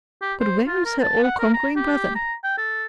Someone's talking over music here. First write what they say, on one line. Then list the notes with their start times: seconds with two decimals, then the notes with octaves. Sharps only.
But where is her all-conquering brother?
0.22 G4
0.40 C5
0.67 F4
0.85 A#4
1.02 A5
1.23 F#5
1.39 A#4
1.54 A#5
1.76 G4
2.15 A#5
2.44 G5
2.58 A4